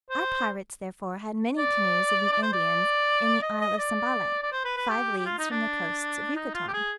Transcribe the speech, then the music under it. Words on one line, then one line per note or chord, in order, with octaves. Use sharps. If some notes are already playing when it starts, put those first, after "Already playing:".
Our pirates therefore had many canoes of the Indians in the isle of Sambale, five leagues from the coasts of Jucatan.
C5
D5
D5
C5
D5
D#5
D#5
D5
D5
C5
B4
B4
G4
G4
F4
D#4
D4
D#4
F4
G4
G#4